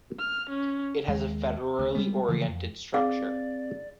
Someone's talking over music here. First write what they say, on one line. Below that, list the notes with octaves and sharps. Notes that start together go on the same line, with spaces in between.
It has a federally orientated structure.
F6
C#4
D#2 G#3
D2
G3 G#3 B3
C#3 E3 F3 A3
F2
C4 G#4 D5 F5